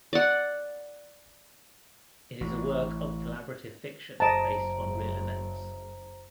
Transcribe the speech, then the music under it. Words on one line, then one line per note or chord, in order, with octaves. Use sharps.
It is a work of collaborative fiction based on real events.
D5 F#5
A1
F#1 C5 D#5 A5 A#5 D7